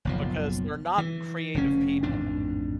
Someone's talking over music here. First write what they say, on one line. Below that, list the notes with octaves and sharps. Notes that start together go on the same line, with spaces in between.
Because they're not creative people.
F#1 B1 F3
E3
F1 C#3 C#4
A1 F2 G#2 D4